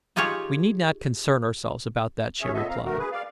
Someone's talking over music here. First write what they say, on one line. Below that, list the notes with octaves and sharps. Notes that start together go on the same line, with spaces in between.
"We need not concern ourselves about that," she replied.
D#4 F4 G4 G#4 C#5
D#2 C#4 G#4 C#5 E5
A#2 B3 A4 D#5 E5
C4 F5 A#5
G2 A3 F#4 A#4
G#4 B4
D5 F5